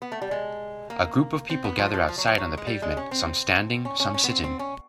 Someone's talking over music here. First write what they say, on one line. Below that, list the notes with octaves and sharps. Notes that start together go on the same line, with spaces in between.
A group of people gather outside on the pavement, some standing, some sitting.
B3
A3
G3
G#3
A#3
C4
B3
F3
F3
F3
F#3
F3
F#3
G#3
G3
G#3
C#4
C4
C#4
C#4
C#4
B3
C4
C4
C#4